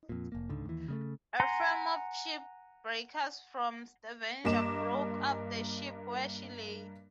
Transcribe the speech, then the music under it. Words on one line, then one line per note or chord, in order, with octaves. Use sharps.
A firm of shipbreakers from Stavanger broke up the ship where she lay.
F2 A#2
F1 A#3
C#2 G#2 D3
D#2 E3
C#3 G#3 A3
F#5 G#5 A#5 C6
G2 A#3 D#5 D6 E7